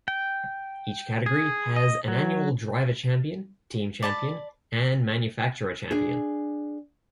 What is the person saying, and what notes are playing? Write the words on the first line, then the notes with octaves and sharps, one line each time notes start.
Each category has an annual driver champion, team champion, and manufacturer champion.
G5
G#4
D#5
F#3
D5 A5 B5
D4 G#4